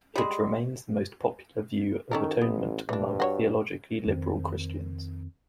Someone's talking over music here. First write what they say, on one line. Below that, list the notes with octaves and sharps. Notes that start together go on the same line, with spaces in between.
It remains the most popular view of atonement among theologically liberal Christians.
G3 G#3
D#3 C#4 A4 A#4
A1 B3
G2 E3 D4
F#4 C5 C#5
F2 D#3 C4